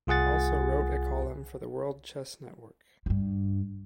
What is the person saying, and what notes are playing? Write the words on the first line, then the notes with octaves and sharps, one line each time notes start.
He also wrote a column for the World Chess Network.
C2 F4 G#4 F#5 A6
G2 E4